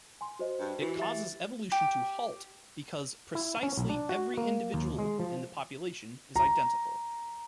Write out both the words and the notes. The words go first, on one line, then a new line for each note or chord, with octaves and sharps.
It causes evolution to halt because precisely every individual in the population is identical.
G#5 C6
F#4 C5 D#5
G2
E3 F#4
G4 E5 A6
G4
E4
C#4
B1
D4
F#4
A#3
D#2
G#3
F3
A#5